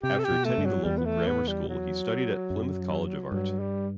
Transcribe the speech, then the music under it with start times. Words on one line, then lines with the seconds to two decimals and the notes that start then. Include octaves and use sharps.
After attending the local grammar school he studied at Plymouth College of Art.
0.03 C3 G4
0.19 A4
0.24 G4
0.31 B2
0.45 A3
0.58 G2
0.65 F#3
0.85 E2 G3
0.97 B3
1.06 A3
1.27 B3
1.48 G3
1.68 F#3
2.50 F#2
3.32 G2 F#3
3.60 G3